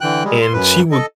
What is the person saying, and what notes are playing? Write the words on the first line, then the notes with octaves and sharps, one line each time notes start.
and she would
D3 E3 G5 F#6
G3 G#3
C6
F#2 B4
A4 D#5